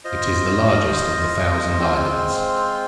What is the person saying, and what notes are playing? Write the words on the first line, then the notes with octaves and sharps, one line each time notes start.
It is the largest of the Thousand Islands.
F4 C5 D#5
G#3 C4 F4 C5